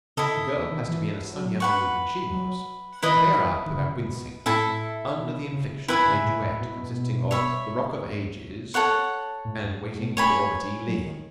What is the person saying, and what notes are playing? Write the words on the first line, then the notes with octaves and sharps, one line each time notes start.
A girl has to be in a sunnier mood than she was to bear up without wincing under the infliction of a duet consisting of the Rock of Ages and Waiting for the Robert E. Lee.
C#3 E4 A4 D#5
D#3
C#3
D#3
E3
F#3
B4 F#5 C#6
F#3
D#3 E4 B4 D#5
E3
D#3
D#3
C#3
B2
A2 E4 A4 E5 A5
B2
C#3
C#3
D#3 E4 B4 E5 G#5
C#3
A2
A2
B2
C#5 E5 B5
A4 C#5 F#5 C#6
A2
F#2
A2
B2
A3 C#5 G#5 B5
F#3
D#3